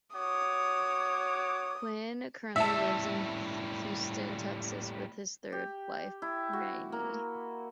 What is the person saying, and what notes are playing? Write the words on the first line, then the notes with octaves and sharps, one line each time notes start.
Quinn currently lives in Houston, Texas with his third wife, Rennie.
F#4 C#5 D6 D#6
A2 G3 E5 A5
G4
E4
F#4
A#3